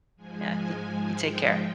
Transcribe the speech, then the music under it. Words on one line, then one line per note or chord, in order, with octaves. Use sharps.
Yeah. You you take care.
G#2 F3 G#3 G#5
G5